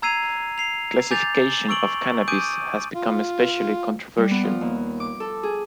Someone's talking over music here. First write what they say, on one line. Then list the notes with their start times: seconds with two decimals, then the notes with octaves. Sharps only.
Classification of cannabis has become especially controversial.
0.02 A#5 E6 G#6 C7 D#7 F7
0.58 C7 F7
1.11 G#5 D6 G6 A6 F7
1.69 C#6 E6 D7 F#7 G7
2.28 G#5 D6 D#6 G6 D7 D#7
2.95 F4
4.17 G3
4.31 B3
4.44 F3
4.61 D#2
5.00 D6
5.20 A4
5.43 G#4